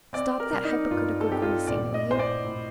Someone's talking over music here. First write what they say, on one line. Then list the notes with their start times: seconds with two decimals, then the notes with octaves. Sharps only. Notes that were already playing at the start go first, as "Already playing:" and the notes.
Stop that hypocritical grimacing, will you.
0.13 C4 D5
0.40 A#4
0.53 G3
0.65 D#4
0.91 G2 F4
1.21 A4
1.29 C4 G4
1.42 F4
1.67 A#1 D5
1.94 D#5
2.07 A2 C5
2.19 D5
2.45 A2